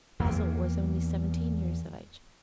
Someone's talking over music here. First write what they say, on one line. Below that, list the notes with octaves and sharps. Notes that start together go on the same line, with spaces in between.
Bazil was only seventeen years of age.
E2 A#3